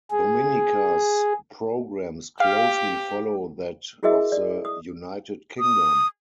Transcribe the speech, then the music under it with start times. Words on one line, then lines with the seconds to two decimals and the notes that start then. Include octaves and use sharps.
Dominica's programs closely follow that of the United Kingdom.
0.11 G#4
2.40 G4 F5
4.03 E4 F#4 G#4 A#4 D#5 E5
4.32 D5
4.65 D#6
5.60 D#6